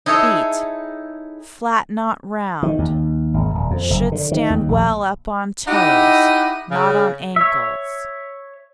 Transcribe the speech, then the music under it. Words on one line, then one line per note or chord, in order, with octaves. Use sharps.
FEET--Flat, not round; should stand well up on toes, not on ankles.
D#4 E4 G#4 A4 C#5 D#5
D#3
D#2
G#1
D#1
F2
F#1
D3
D#3
D#2
A#1
D#4 E4 G4 D#5 F#5
C#3
C#5 E5